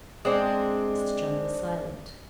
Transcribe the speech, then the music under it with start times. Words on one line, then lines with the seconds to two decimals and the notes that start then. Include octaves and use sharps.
Mr. John was silent.
0.25 G#3 C4 D4